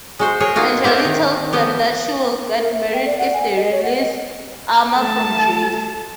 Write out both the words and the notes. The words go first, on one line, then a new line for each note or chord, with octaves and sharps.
Anjali tells them that she will get married if they release Amar from jail.
G#3 F#4 C5
G#4 A#4 C#5
A#3 D#4 F4 F#4
C4 G4 A#4 E5
D#3
F3 B3 G4
A#4
E5
G5
D5
F#5
G#5
D#5
C#5
F#5
D#5
A3 A5